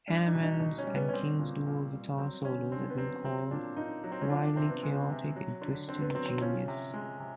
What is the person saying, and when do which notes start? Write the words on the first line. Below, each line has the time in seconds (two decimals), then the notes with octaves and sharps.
Hanneman's and King's dual guitar solos have been called "wildly chaotic," and "twisted genius".
0.08 G3 D4
0.26 D#4
0.34 B2
0.43 D#4
0.60 B2 D#4
0.78 C#4
0.87 G3
0.96 B3
1.09 C#4
1.13 G3 C4
1.39 A#2
1.66 A#2
1.93 G3
2.18 F#3 C4
2.45 D3 C#4
2.72 D3 C4
2.90 B3
2.97 F#3 C4
3.24 F#3 C4
3.51 A#2 D4
3.77 A#2 D#4
4.04 F#3
4.12 C4
4.21 C#4
4.30 F3 D4
4.43 D4
4.56 C3 C4
4.69 B3
4.83 G#3
5.09 C3
5.36 F#3
5.62 D3
5.89 D3 C4
6.01 B3
6.15 F#3 C4
6.28 C4
6.41 F3 C#4
6.68 C3
6.94 G#3
7.20 C3